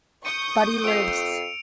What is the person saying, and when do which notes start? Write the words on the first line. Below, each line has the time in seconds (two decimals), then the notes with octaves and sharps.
But he lives.
0.25 C#6 D#6 G6 C#7 D#7
0.84 F2 E6 C7 D7 F7